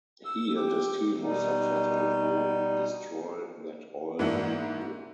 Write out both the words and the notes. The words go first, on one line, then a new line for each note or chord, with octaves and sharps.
He and his team was successful to destroy that oil depot.
E6
G4 D6
B2 G3 D#4
G#2 E3 A#3 D4 E4 F#4